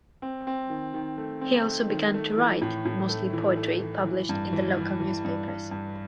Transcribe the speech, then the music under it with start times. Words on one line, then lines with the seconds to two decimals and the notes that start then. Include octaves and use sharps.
He also began to write, mostly poetry published in the local newspapers.
0.22 C4
0.47 C4
0.70 D#3
0.94 D#3
1.18 A3
1.41 C4
1.66 A3
1.90 D#3
2.14 A3
2.38 E3
2.62 A2
2.85 A2
3.09 A3
3.33 E3
3.57 A3
3.80 E3
4.05 E3
4.29 G2
4.53 E3
4.77 E3
5.00 E3
5.24 G2
5.48 G2
5.71 G2